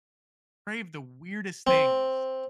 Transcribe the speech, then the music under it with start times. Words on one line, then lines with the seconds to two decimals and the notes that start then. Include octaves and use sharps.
crave the weirdest things,
1.67 C4